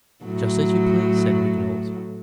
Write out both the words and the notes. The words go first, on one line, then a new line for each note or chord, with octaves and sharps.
"Just as you please," said Vignolles.
A2 F#3